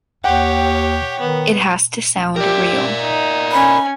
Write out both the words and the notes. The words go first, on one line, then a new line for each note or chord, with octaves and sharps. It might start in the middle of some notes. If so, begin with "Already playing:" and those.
It has to sound real.
D#2 G4 C#5 F#5 G5
D#3 B3
G4 A#4 D5 E5
D#4
C#4 G#5 B5